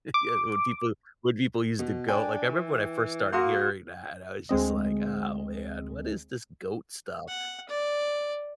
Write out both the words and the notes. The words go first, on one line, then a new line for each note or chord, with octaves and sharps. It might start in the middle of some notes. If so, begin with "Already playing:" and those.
Yeah, when people when people use the GOAT, like I remember when I first started hearing that, I was just like, "Oh, man. What is this GOAT stuff?"
D6
B2
D4 G5 G#5
E3
A#3 F#4 F5 F#5 C6 D#6
D2 G#3 C4 D#5
F#5
D5